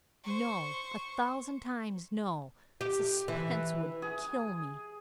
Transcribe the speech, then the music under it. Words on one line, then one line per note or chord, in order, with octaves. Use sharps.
"No!--a thousand times no! Suspense would kill me!"
C5 C#6
G4
E3
G#4